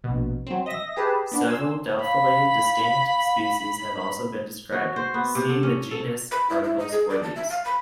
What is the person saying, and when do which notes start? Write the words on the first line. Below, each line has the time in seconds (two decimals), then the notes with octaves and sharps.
Several doubtfully distinct species have also been described; see the genus articles for these.
0.04 A#1 B2
0.47 F#3 C4
0.66 D#5 E5 A#6
0.96 G4 G#4 B4 A5
1.32 B3 D4
1.46 G#5 C6 E6
2.03 F5 B5
4.72 F#4
4.96 C5
5.14 B3
5.35 C3
5.49 A4
5.63 C#4
5.91 A4
6.31 B5
6.50 E4
6.63 E4
6.79 D#5
6.92 G#4
7.10 D5
7.23 A5
7.36 E5
7.50 F5
7.65 B5